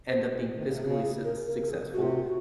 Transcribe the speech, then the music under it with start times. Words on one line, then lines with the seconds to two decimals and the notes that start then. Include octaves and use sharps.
end up being fiscally succes successful,
0.09 C3 C5
0.21 A#2
0.27 C3
0.32 A#2
0.44 A#2
0.55 D#3
0.63 C#3
0.71 C3
0.78 C#3 G#4
1.02 G#4
1.24 A#4
1.47 C#3 A#4
1.59 C#3 A#4
1.70 D#3 G#4
1.82 C#3
1.93 C3 F#4
2.02 F4
2.08 F#4
2.23 F#4